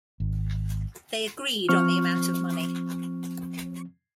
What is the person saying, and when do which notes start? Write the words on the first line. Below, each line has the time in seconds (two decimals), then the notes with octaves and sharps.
They agreed on the amount of money.
0.20 G#1
1.69 F3 C4 C#6 F6